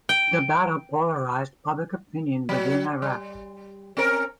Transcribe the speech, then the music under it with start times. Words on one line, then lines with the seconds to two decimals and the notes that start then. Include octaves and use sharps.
The battle polarized public opinion within Iraq.
0.09 G5
2.49 F#3
3.02 G3
3.97 C4 C#4 A#4